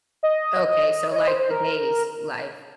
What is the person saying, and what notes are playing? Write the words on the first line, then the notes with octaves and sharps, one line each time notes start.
Okay, so, like, today's life?
D#5
C#5
D#5
C5
C5
A#4